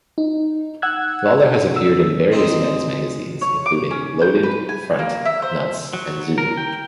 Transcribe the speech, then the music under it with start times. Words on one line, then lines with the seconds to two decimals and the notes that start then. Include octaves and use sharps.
Lawler has appeared in various men's magazines, including "Loaded", "Front", "Nuts" and "Zoo".
0.18 D#4
0.82 F#5 E6 F#6 G#6
1.76 E6
2.32 G#3 C4 D#4
3.41 C#5
3.66 D6
3.91 C#4
4.22 G6
4.43 B4
4.69 G#5
4.99 A#3
5.25 E5
5.42 C5
5.93 F#3
6.38 A#4
6.57 G5